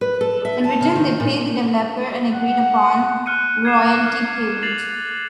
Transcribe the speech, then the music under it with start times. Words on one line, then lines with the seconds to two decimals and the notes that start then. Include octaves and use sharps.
In return they pay the developer an agreed upon royalty payment.
0.01 B4
0.21 A4
0.45 E5
0.64 A5
0.81 C#3
0.96 D#3
1.20 A#2
2.35 F#5
3.26 F6 F#6 C#7 D#7
3.65 G#6 C7 E7
3.86 D6 F#6 E7
4.05 F6
4.63 A6 C7 F7 F#7